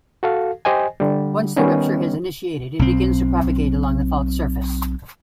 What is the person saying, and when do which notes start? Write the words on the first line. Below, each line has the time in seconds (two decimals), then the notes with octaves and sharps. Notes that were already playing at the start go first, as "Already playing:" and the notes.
Once the rupture has initiated, it begins to propagate along the fault surface.
0.23 F#4 A4 F5
0.65 G4 C5 D#5 G#5
1.00 D3 G3
1.56 D#3 G3 B3 C#4 D#4
2.79 B1 C4